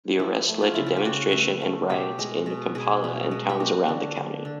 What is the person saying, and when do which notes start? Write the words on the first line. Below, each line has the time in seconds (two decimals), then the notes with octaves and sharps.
The arrest led to demonstrations and riots in Kampala and towns around the country.
0.19 F3 E4
0.48 A3
0.61 F4
0.74 C#3 E4
0.86 F4
0.97 G4
1.05 C#3 F#4
1.33 A3
1.61 A3
1.89 B2 G4
2.19 G#3
2.46 B2
2.75 B2 G#4
3.04 B2
3.31 G#3
3.49 G4
3.60 A#3 F#4
3.88 D3
4.17 D3
4.45 D3